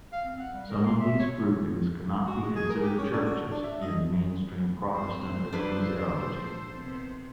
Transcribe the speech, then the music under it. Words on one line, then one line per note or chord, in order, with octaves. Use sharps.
Some of these groupings cannot be considered churches in mainstream Protestant ecclesiology.
F5
C4
F#5
G3
A#4
C6
E5
C#5
F#4
G#3
G#4
A#4
G4
C#4
D4
F#4
A2
D4
E5
D#5
C4 C5
D#3 D4 F4 G#4 A4 B4
A#2 F3
C3 D#3 B3